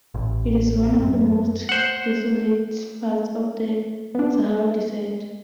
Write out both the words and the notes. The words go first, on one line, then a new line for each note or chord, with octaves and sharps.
It is one of the most desolate parts of the Sahara Desert.
A1
F#2
C5 F#5
B3 D4